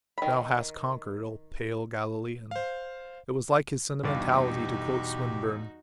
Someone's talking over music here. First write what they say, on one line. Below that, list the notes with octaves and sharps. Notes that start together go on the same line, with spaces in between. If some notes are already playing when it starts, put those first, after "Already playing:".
"Thou hast conquered, O pale Galilean." It was like his sentimentality to quote Swinburne.
D#3 B5
C5 F5
E2 G2 B2 D#4 F#4 G4 D5 F5